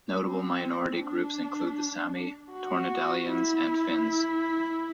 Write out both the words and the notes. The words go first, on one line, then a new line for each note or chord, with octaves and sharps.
Notable minority groups include the Sami, Tornedalians and Finns.
C4
D4
F#4
E4